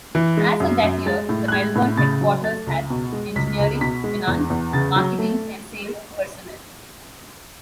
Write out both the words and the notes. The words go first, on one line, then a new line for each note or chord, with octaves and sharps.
As of that year the Melbourne headquarters has engineering, finance, marketing and sales personnel.
E3
G#3
F#2
F#2
G#3 A6
A2
F#6
G#3 G#6
A2
C#3 A6
F#3
A3 A6
C#2
B2
G#3
C#2 B6
C#2
B2 B6
G#3
E2
E2
C#3 A6
F#3
A3